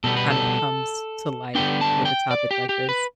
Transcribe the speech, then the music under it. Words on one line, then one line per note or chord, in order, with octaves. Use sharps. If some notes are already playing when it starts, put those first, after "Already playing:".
kind of comes to light with a topic like this.
B2 G3 B3 A4
B4
A4
D3 G3 B3 D4 G5
A5
G5
D5
G4
G4
B4